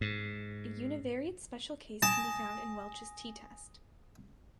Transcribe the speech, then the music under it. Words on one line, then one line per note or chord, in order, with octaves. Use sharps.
A univariate special case can be found in Welch's t-test.
G#2
G#5 A5 D#6 A#6